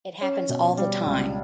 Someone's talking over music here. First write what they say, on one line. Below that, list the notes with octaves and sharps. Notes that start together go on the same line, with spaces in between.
It happens all the time.
C#4
B2
G3
C#2